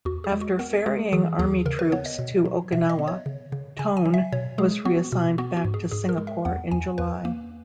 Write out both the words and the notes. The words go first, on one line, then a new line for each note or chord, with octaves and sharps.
After ferrying army troops to Okinawa, "Tone" was reassigned back to Singapore in July.
E2 F#4
G#4
G#3
F#4
B3 A#4
G#3 G#4
E3 G#4
D#2 G#4
C#3 A#4
B4
B3 C#5
D#5
B2
F#3
B2 E5
D#5
B3
C#5
C#3
C#3
C#3 G#5
G#5
F#3
E5
B2 C#5
G#3 G#4
B3 F#4
B2
B3 F#4
F#4
G#2
G#4
G#2 G#4
A#4
G#3
E5
E2 F#5
E2 G#5
E2 B4
A#3